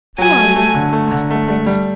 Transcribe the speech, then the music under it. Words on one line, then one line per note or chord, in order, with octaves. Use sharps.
'Who are you?' asked the prince.
F#3 G#5
A3
A3
D3
A3
D3
A3
A3
G3